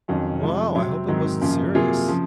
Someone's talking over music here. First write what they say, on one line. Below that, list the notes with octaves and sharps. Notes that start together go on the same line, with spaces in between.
Wow, I hope it wasn't serious.
F2 D#3 F#3 C#4
C3 F3 G#3
C3 F#3 C4
G#2 D#3 F#3 C4
F#2 C#3 F3 A#3
C3 F#3 A#3 F4 G#4
C#3 F3